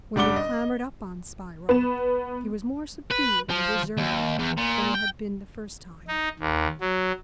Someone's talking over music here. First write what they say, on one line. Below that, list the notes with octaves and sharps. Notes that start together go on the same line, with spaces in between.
When we clambered up on Spy Rock, he was more subdued and reserved than he had been the first time.
F#1 G3 D4 F#5 D6 G7
D#5
B3 E7
B4
F3
D#2
E2
A#2
G5
D#4
D#2
F#3